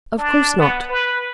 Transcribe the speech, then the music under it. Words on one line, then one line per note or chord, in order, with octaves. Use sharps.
"Of course not."
D4
B3
B4